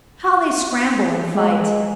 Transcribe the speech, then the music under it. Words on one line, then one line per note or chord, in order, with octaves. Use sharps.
How they scramble and fight!
G#3